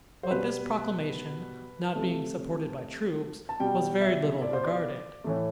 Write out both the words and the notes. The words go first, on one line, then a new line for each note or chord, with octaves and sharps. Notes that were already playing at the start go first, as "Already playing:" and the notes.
But this proclamation, not being supported by troops, was very little regarded.
C5
B2 G3 B4
C3 F3 A3
A5
B2 G3 G5
E5
D5
C5
D5
A2 E3 A3